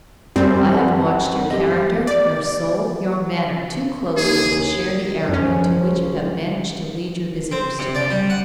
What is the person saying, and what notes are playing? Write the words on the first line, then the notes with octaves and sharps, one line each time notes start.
I have watched your character, your soul, your manner, too closely to share the error into which you have managed to lead your visitors to-night.
F#2 G3 C4
B4 F#5 A5
G4 D#5
D5
D#2 G#4
C#2 F#2 F3 C#4
C4
C3
D5
G3
F#5